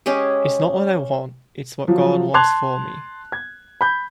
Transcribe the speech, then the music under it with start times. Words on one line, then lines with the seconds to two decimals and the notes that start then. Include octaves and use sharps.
It's not what I want; it's what God wants for me.
0.06 G#3 C#4 G4 G#4
1.88 F3 F#3
2.34 A5 C6 F#6 G#6 F7
3.32 G#6
3.81 B5 G6